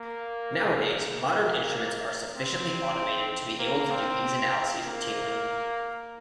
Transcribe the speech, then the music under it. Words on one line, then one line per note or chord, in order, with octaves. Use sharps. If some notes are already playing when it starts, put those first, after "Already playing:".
Nowadays, modern instruments are sufficiently automated to be able to do these analyses routinely.
Already playing: A#3
A#3
C4
A#3
C4
A#3